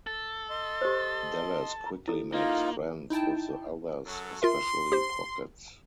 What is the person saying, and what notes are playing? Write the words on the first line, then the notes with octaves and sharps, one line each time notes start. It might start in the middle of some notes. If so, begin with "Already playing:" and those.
Dallas quickly makes friends with the others, especially Pockets.
A4
D#5 C6
G4 C5
E4 A4
A#3 D#4 F4
D#4 E4 G5 A5
F#2 F#3 A4
F4 A#4 E5 C6
G4 C5